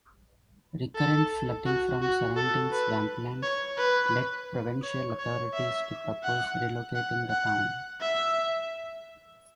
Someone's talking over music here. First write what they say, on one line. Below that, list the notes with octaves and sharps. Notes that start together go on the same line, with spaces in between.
Recurrent flooding from surrounding swampland led provincial authorities to propose relocating the town.
A4
F#4
F#4
A4
B4
C#5
B4
C#5
C#5
E5
F#5
F#5
F#5
E5